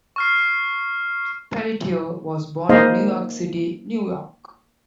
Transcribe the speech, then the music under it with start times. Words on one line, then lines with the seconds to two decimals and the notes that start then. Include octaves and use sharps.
Pelletier was born in New York City, New York.
0.16 C#6 F6 C7
2.69 A#3 D#4 G#4 C5 D#5 F5